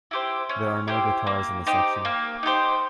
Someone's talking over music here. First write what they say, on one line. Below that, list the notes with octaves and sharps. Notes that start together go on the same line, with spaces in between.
There are no guitars in this section.
E4 G4 C5
C#4
E4 G4 C5
A#3
D#4 G4 C5
A#3
D#4 G4 C5